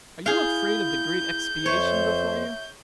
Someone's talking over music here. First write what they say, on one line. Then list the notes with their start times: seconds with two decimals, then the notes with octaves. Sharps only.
Are you afraid of the great expiation before you?
0.26 E4 G#4 F5 G6
1.66 F2 C5 C#5 E5